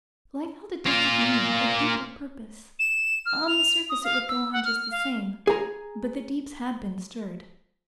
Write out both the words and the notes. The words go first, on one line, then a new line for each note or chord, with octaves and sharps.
Life held a different meaning, a deeper purpose. On the surface it would go on just the same; but the deeps had been stirred.
A#3 F4
E7
F6
F7
D#6
F5
E6
F#5
F6
F5
G#4 A#5